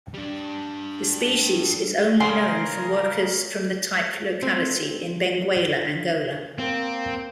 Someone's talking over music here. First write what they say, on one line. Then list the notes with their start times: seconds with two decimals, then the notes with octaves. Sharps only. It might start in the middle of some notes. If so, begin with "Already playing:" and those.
The species is only known from workers from the type locality in Benguela, Angola.
0.14 G3 D4
2.20 C#3 A#4 G#5 C6
4.42 C4
6.59 A#3 C4